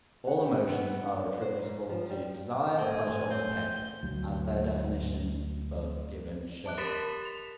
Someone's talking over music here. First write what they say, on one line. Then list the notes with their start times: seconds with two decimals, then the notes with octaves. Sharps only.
All emotions are attributable to desire, pleasure, or pain, as their definitions above given show.
0.27 F#5
0.41 G4
0.70 B3
1.13 D4
1.42 C5
1.62 G#2
1.89 F3
2.10 G3
2.78 A2 C4 A4 G#5
3.30 C4 G6
4.03 D2 F#3
6.66 A5 D6 F#6
6.78 G4 A#4 B5 A6 B6 E7
7.25 F7